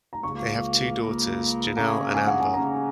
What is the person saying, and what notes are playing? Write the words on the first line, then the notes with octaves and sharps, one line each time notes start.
They have two daughters, Janell and Amber.
A#5
C#2 C#3 A#3 C#6
C#2 C#3 A#3
C#3 A#3 C#4 G#4 A#5
G#5
F#5
G#5
C#3 A#3 C#4 G#4 A#5